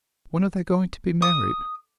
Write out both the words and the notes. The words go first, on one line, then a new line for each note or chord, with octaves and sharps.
When are they going to be married?'
D#6